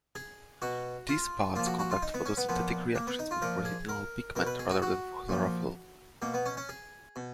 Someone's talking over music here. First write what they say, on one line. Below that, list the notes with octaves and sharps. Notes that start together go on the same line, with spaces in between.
These parts conduct photosynthetic reactions with retinal pigment rather than chlorophyll.
G#4
B2 F#4
F4
A#2 F3 F4
F#4
F#4
F4
D#4
B3
C#4
B3
A#2 F3 B3
A#3
B3
D#4
F4
A#2 F3 A#4
G#4
A#4
B2 A#4
B4
G#4
F#4
F#4
A#2 F3
B2 A#3
B3
C#4
C#4
G#4
B2